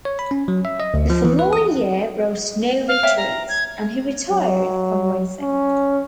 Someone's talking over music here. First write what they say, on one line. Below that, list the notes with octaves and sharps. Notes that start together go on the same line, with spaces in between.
The following year brought no victories, and he retired from racing.
C#5
B5
C#4
F#3
E5
D#5
D2
F3
E3
B4
D#6
F5
C#5 E5 G5
A#5
G#6
F#3
C#4